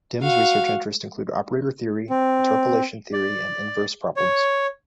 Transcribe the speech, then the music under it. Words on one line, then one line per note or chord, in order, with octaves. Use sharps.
Dym's research interests include operator theory, interpolation theory, and inverse problems.
F#4 F5
C4
D5
C#5